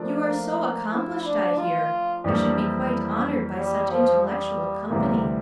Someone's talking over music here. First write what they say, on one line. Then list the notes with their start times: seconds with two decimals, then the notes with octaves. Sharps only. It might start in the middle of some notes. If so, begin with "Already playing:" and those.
"You are so accomplished, I hear; I should be quite honored by such intellectual company."
Already playing: F3 A3 D4 F4 A#4
0.25 A#3
0.92 E4
1.25 D4
1.57 F4
2.24 F2 E3 G3 A#3 D4
2.57 E4
3.57 G3
3.90 F3
4.23 G3
4.89 D2 C3 E3 G3 A#3